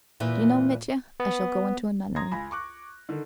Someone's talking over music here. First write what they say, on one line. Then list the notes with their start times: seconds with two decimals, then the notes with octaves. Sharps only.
Do you know, Mitya, I shall go into a nunnery.
0.20 E2 A#2 E3 E5
1.20 B3
2.16 A#5 C6 D#6 G#6 A#6
2.32 C#2 G#5 B5
2.51 C#6 D6 F#6
3.09 D3 D#3